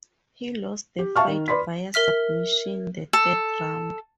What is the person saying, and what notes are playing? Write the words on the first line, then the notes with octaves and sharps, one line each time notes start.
He lost the fight via submission the third round.
G4
E5 F5 A5 C#6 F6
D#3
B4 D5 B5 C6 B6
A#4 E5 F6 B6
A4